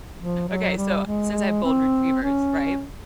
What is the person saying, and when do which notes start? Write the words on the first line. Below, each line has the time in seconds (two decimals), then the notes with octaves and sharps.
okay, so, since I have golden retrievers, right?
0.18 F3
0.48 F#3
0.77 G3
1.06 G#3
1.64 C4
2.22 C#4